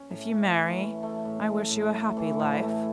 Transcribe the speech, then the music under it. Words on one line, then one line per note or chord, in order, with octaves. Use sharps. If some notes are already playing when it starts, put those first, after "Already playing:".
If you marry, I wish you a happy life.
Already playing: C#4
A2
C#4
E3
A3
A3
A2
A3
A2
A3
E3
A2
A3